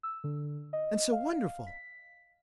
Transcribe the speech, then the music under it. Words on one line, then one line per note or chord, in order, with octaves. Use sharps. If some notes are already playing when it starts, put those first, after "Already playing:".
And so wonderful!
E6
D3
D#5
F5
B6